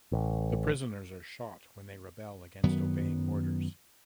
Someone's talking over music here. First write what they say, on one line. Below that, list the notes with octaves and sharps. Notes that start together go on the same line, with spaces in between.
The prisoners are shot when they rebel against obeying orders.
A1
F#2 D#3 F#3 B3